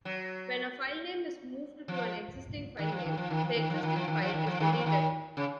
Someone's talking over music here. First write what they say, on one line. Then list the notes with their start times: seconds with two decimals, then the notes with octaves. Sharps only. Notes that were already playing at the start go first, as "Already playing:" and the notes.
When a filename is moved to an existing filename, the existing file is deleted.
0.05 F#3
1.88 F3
2.79 D#3
2.92 F3
3.06 D#3
3.17 F3
3.30 D#3
3.44 F3
3.56 D#3
3.70 F3
3.83 D#3
3.96 F3
4.08 D#3
4.21 F3
4.34 D#3
4.47 F3
4.60 D#3
4.72 F3
4.86 D#3
5.37 C#3